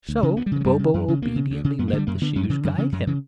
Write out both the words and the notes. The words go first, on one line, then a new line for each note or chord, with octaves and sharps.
So Bobo obediently let the shoes guide him.
D2
C#3
D2 B3
G3
C#3 E3
F#3
F#2 G3
C#3
F#2
C#3
D2 A#3
C#3
D2
C#3
F#2 B3
A#3
D3
G3
F#2 A#3
D3 B3
F#2 C#4
F#3
C#3 E3
F#2 D3
C#3 E3
F#2 F#3
C#3 E3